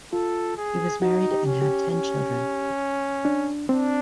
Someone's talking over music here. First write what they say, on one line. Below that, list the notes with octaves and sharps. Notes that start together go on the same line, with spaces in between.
He was married and had ten children.
F4 A4
G#4
D#4 F#4
G4
C#4
G4
C#4
D4
C4 D4